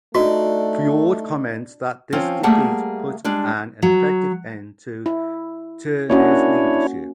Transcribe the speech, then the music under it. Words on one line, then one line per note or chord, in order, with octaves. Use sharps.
Foord comments that "this defeat put an effective end to Tierney's leadership".
A3 D4 D#4 F#4
F3 C4 C#4 F4
G3 A3 A#3 G#4 F#5 A5
G3 G#3 D4
F#3
E4
A#3 C#4 D4 E4 F#4 C#5